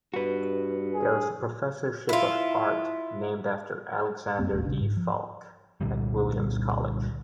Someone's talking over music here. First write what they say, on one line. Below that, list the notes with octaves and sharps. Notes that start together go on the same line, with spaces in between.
There is a professorship of art named after Alexander D. Falck at Williams College.
G2 F#4 B4
G#4
E4 F4
F#2 A#3 C4
E1 A1 A3 C4
A#1 C#3 D4
G#2
F3
C2 A#2 D3 G3